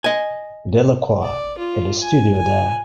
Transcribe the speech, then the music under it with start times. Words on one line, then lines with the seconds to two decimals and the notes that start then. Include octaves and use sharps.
Delacroix had a studio there.
0.04 D#5 G#5
1.23 D5
1.58 F4
2.02 G#5
2.38 G#5